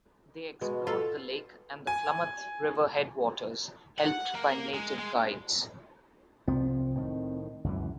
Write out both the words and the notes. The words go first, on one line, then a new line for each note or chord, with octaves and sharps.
They explored the lake and the Klamath River headwaters, helped by native guides.
B2 G#3
F4 A4
G#5
F#5
A#3
G#3
G#3
C2 F3 C4
A2 D#3
C#2 F#2 E3